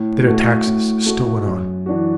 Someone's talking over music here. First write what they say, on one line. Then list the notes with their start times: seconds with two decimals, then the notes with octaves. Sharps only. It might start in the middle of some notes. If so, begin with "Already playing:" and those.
The bitter taxes still went on.
Already playing: A2
0.27 A3 F#4
0.66 A2
1.06 A3 F#4
1.47 F#2
1.86 E3 D4 F#4